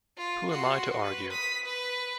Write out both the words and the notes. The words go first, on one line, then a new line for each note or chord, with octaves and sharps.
Who am I to argue?
F4
F#4 C6
B4
D#6 B6
B4